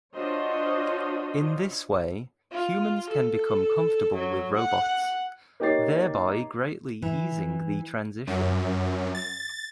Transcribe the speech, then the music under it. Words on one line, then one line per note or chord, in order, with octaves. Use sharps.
In this way, humans can become comfortable with robots, thereby greatly easing the transition.
D4 F4 F#4 C5 C#5 D#5
F4
A4
F#3
F#5
A#3 D#4 G4 C#5 A6 C7
E3
F#2
A6